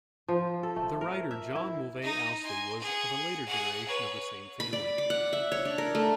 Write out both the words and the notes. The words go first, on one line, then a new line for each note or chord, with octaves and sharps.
The writer John Mulvey Ousley was of a later generation of the same family.
F3
A4
A3
A#4
E5
E4
D#4 D#5
G#5 C6
G#4 F#5
G#4 F#5
B4 C#5
B5
D5
D6
F#5
E5
C#5
D4
A#4
A3